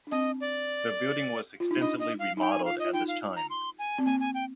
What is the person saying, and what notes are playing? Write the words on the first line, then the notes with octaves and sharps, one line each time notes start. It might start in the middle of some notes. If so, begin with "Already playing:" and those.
The building was extensively remodelled at this time.
D4
C4 D#5
D5
F4
D#4
D4 D#5
D#5
F5
D#4 G5
G#5
F4 F5
D#5
F4
D#4 G5
F5
A#5
C6
G#5
C4
A#3 G#5
G#5
G5